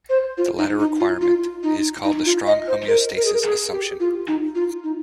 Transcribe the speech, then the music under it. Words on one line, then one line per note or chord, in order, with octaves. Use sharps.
The latter requirement is called the strong homeostasis assumption.
C5
F4
D#4
D#4
F4
F4
D#4
D#4
F4
D#5
C5
A#4
A#4
G#4
A#4
G#4
G4
F4
D#4
F4
D#4